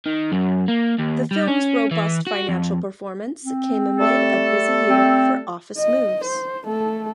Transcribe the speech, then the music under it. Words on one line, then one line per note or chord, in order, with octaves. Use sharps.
The firm's robust financial performance came amid a busy year for office moves.
D#3
F#2
A#3
D#2
G3
C#4
E3
F#4
F2
C4
G3 A3 A4
C4
D#5
C5
A3 A4